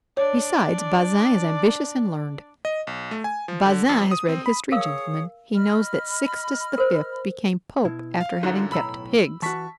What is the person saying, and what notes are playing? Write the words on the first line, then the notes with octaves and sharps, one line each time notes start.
Besides, Bazin is ambitious and learned; Bazin has read history, gentlemen, he knows that Sixtus the Fifth became Pope after having kept pigs.
D4 C#5 D5
D#5
B1
A3
G#5
F3
D3
F2
D#6
C4
B5
G#4 A#4 C#5 F5 D#6 E6
D#5 B5 F6
A#4 C5
B2 E4
F5
F#2 D3 D#4 F4 F#4
B1 A2 A#5 B5 E6
E3 F#4 A5 C#6 B6